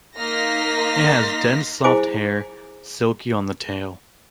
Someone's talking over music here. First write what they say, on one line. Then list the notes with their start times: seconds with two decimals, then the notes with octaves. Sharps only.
It has dense, soft hair, silky on the tail.
0.17 A#3 D#4 C6 F6 A#6 B6
1.84 E4 F4 G#4 C5 G#5 D6